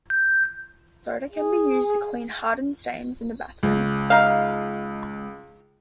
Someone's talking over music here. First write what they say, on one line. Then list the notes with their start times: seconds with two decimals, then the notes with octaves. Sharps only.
Soda can be used to clean hardened stains in the bathroom.
0.10 G6
1.32 G#4
3.63 C#2
4.10 D#4 F5